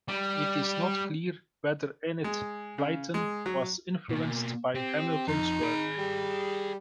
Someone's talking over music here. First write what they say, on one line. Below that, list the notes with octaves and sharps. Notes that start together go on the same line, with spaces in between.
It is not clear whether Enid Blyton was influenced by Hamilton's work.
G3
G#3
C#3
G#3
F#3
B2 A#3
C4 G4
F2 D#4
G#4 B5
G3